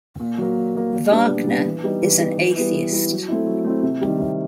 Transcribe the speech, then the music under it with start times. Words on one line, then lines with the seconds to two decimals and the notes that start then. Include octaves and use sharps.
Wagner is an atheist.
0.20 A#2
0.38 F#3 A#3
0.56 A#2
0.75 F#3 A#3
0.93 A#2
1.11 G3 B3 D4
1.29 A#2
1.47 G3 B3 D4
1.65 E3
1.84 G3 B3 D#4
2.02 E3
2.19 G3 B3 D#4
2.38 E3
2.55 G3 B3 E4
2.74 E3
2.92 G3 B3 E4
3.10 F#3
3.28 A3 C4 E4
3.46 F#3
3.64 A3 C4 E4
3.83 C3
4.01 D#3 G3
4.19 C3